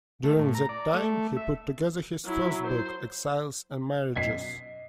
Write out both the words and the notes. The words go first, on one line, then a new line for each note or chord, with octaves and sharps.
During that time, he put together his first book, "Exiles and Marriages".
A3
A2
A#5
D5
A3
E5
F#3 E4
C5
F#2 B2 D#5 G#6 B6 C7